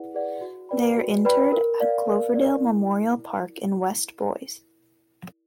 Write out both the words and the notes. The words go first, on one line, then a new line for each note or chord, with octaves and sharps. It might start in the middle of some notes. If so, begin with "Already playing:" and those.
They are interred at Cloverdale Memorial Park in west Boise.
Already playing: E4 G#4 B4 D5 F#5
G#4 B4 D5 F#5
F#4
B4 D5 G5 B5
F#4
B4 D5 G5 B5
A#4
D5 F5
A#4
D5 F5
E4